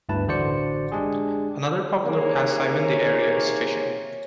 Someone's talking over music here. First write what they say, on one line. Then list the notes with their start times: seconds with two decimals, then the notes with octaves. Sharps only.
Another popular pastime in the area is fishing.
0.09 G1 D2 G2 E4 B4 A5
0.28 A1 D3 F#4 C5 D5 C#7
0.92 G#3 D4 G4 G#4
2.04 C3 D#3 A#3 G#4 C#5